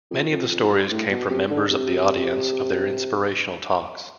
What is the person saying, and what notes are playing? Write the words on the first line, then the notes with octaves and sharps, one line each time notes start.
Many of the stories came from members of the audience of their inspirational talks.
F2
F2
F2
G2
A2
B2
C3
D3
C3